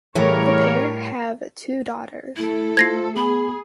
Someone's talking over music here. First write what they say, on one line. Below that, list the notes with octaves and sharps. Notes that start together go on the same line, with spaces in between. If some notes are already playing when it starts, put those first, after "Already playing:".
The pair have two daughters.
A2 C#3 E3 G3 A3 A#4 C#5
A3 E4 A4
F4 C5 G#6 A#6 C7
B3 G#4 B5